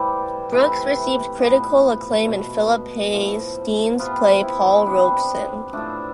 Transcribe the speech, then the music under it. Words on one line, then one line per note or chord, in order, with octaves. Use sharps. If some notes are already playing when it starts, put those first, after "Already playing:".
Brooks received critical acclaim in Phillip Hayes Dean's play "Paul Robeson".
Already playing: A2 E3 G3 C5 D5
C3 E3 A3 B4
A2 F3 B3
B2 A3
A2 F3 A3
C3 F3 B3 F4
E4
C3 F3 B3 D4
A2 F3 A3 D4